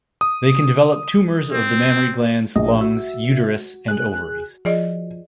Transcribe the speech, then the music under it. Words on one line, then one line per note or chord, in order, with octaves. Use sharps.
They can develop tumours of the mammary glands, lungs, uterus, and ovaries.
D#6
C4
A#1 D#5
F#4 E5
G#4 F#6
F3 G#4 D5 D#5